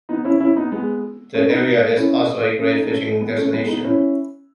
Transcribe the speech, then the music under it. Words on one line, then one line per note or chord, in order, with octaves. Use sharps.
The area is also a great fishing destination.
B3 D#4
C#4 E4
C#4 E4
B3 D#4
G#3 B3
A3 C#4
B3 D#4
C#4 E4
C#4
D#4
A3 C#4
G#3 B3
A3 C#4
G#3 B3
B3 D#4
C#4 E4